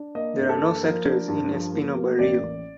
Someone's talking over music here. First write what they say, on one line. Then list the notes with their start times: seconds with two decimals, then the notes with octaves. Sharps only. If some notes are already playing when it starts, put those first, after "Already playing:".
There are no sectors in Espino barrio.
Already playing: D4
0.15 A#3 D#5
0.38 G2
0.49 A4
0.61 A#3
0.83 F3 A#4
1.06 D4
1.28 G2
1.51 F3
1.73 A#3
1.97 A#3
2.19 A1 D5
2.41 A1